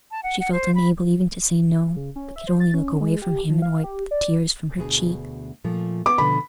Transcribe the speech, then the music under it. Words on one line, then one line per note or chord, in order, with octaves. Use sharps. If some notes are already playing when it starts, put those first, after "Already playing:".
She felt unable even to say "no," but could only look away from him and wipe the tears from her cheek.
A5
F#5
F#5
C5
B5
C#3
C#4
E5
C5
A6
C#4
G#3
G4
F3
F5
G4
D5
D2 B2 G#4
A#2 F3 A3
B3 D6
B2 D3 F3 B5